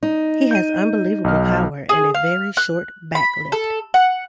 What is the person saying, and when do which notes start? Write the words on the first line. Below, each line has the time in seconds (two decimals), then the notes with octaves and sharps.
He has unbelievable power and a very short back-lift.
0.03 D#4
0.51 G6 D#7
1.24 B1 D#5 F6
1.89 G#4
2.14 F5
2.57 F#6
3.15 B5
3.52 A4
3.94 F#5